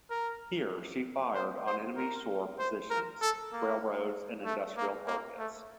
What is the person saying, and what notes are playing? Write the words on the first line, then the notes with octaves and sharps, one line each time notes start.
Here she fired on enemy shore positions, railroads, and industrial targets.
A#4
C5
C5
A#4
C5
A#4
A4
A#3
A3
A#3
A#3
A3